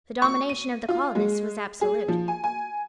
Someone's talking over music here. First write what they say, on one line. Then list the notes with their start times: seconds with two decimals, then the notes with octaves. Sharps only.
The domination of the colonists was absolute.
0.22 C#6
0.49 D#7
0.88 F4
1.15 G#3
1.81 G#4
2.08 F3
2.28 G#5
2.44 G#5